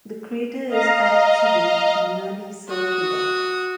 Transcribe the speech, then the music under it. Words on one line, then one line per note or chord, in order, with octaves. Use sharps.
The crater is actually nearly circular.
D#5 F5 A#5
F#4 D#6